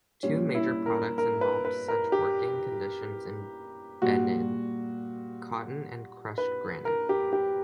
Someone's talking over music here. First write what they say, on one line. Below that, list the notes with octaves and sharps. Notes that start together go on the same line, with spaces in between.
Two major products involved such working conditions in Benin: cotton and crushed granite.
A#2 G3 C#4
E4
A#4
A#4
B4
B4
A#4
G4
A#2 G3 F#4
B4
A#4
G4
G4